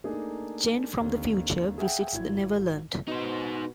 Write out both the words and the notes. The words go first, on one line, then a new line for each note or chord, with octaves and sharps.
Jane, from the future, visits the Neverland.
A3 A#3 D4 D#4 G#4
D#2 D3 C4
G#4 E5 F#5 G5
G#1 E4 G#6
B2 D#4 C5